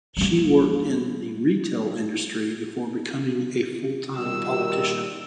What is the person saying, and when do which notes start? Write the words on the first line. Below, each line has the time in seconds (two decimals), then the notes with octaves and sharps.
She worked in the retail industry before becoming a full-time politician.
0.17 G3 A#3
4.17 A#2 D#3 G3 E6